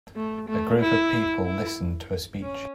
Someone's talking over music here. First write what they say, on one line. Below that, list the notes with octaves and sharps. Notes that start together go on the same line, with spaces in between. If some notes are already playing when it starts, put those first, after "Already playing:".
A group of people listen to a speech.
A3
A3
E4
E4
C#4